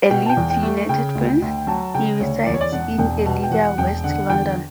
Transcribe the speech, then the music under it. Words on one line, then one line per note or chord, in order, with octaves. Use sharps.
A Leeds United fan, he resides in Ealing, West London.
B2 G5
A5
G5
E2
G5
A3
C#3 G5
D2
D2
F#3 A5
C#3 G5
D2 C#5
E2 D5
C#5
D5
E1 F#5
E1 G5
B2 A5
G5
E2 F#5
E1 G5
D3 F#5
E2 G5